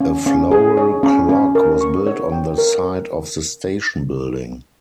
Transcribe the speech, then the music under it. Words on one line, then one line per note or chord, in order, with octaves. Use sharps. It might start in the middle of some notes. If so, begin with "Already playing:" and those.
A floral clock was built on the site of the station building.
C#4
C#4
G#4
C#5
C#4
C#4
A#4
C#6
C#5
G5
A#4